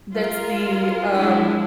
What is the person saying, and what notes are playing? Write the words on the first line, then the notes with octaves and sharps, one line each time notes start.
that's the, um,
F4 G#4 A#4
F3 G#3 D4 E4